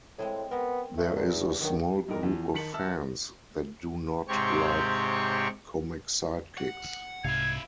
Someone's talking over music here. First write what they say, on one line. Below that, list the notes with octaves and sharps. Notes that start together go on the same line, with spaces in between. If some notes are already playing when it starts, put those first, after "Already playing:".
There is a small group of fans that do not like comic sidekicks.
A2 G#3 C4 G#4
B3 C4 A#4
A3
E2
G2 D#3 F#3
G2 D#4 G4 A#4
E2 F3
D#3 A5 B6 C#7 F#7
E5 A5 E6 F6
G#2 C3 C4 G4 C#5 C#6
F#5
C2 G#2 C3 E4 F5 G#6